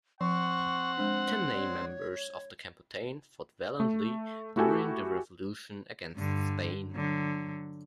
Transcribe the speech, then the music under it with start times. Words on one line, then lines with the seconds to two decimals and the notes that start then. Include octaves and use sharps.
Tanay members of the Katipunan fought valiantly during the Revolution against Spain.
0.21 F3 C4 F#5 C#6
0.98 G#3 D4 C5
1.54 C#5 D5
3.80 A3
4.56 A3 E4 F#4 G4 A4 G#5
6.16 G2 D3
6.92 D3 F#3